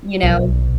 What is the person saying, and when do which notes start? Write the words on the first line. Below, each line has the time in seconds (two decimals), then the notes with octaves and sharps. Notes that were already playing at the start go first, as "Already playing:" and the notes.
You know.
0.23 B1